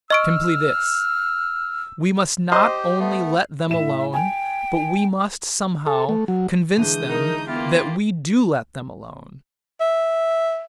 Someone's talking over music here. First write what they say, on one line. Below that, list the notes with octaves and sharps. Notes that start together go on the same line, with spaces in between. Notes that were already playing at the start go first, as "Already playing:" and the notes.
Simply this: We must not only let them alone, but we must, somehow, convince them that we do let them alone.
D#5 C#6 E6 F6 D7
G4 C5 D#5
A3 B3
A2 E5 E7
G5 G#5
A4
A3
F#3
D3 E3 G#3 D#6 G6
D#4 A#4
A#3 B3 E4 F4 G4
E5